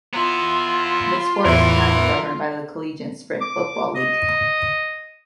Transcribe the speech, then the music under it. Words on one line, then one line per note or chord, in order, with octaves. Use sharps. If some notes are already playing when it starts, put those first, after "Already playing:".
The sport is currently governed by the Collegiate Sprint Football League.
B3 E4 F4
E2 A2 E3 A#4
D6
D#5